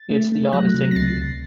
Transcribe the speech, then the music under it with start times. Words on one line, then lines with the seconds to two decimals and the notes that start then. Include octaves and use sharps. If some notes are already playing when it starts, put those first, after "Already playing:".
it's the oddest thing.
Already playing: A6
0.10 A3
0.32 A3
0.53 F#3 F#6 A#6
0.74 C3
0.91 A#6
0.95 C#2 A6 C7
1.17 C#2